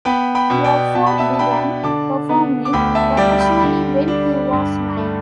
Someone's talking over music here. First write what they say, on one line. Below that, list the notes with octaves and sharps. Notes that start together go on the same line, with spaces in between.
Beauford began performing professionally when he was nine.
B3 G5 B5
G5 B5
B2
D5 G5
B2 A5
B5
E5 A5
A5
D4 G5 B5
D3 A5 D6
B3
D6
D2 G5 B5
E5 A5
G3 D5 G5
G5 B5
D3
D4
G2
A3